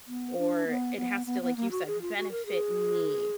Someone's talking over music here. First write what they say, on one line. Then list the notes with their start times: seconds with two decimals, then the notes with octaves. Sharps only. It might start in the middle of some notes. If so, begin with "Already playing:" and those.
or it has to like you said, benefit me.
0.07 B3
0.38 D4
0.67 B3
0.97 B3
1.26 B3
1.42 B3
1.57 A#3
1.71 F#4
1.87 G#4
2.02 F4
2.17 F#4
2.31 A#4
2.46 G#4